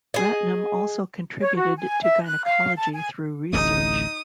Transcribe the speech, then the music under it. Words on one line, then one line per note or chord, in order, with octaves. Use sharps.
Ratnam also contributed to gynaecology through research.
G#4 D#5
C#5
F#4
G#5
E5
F#6
F5
A5
G#5
D1 A1 A3 D#4 D#6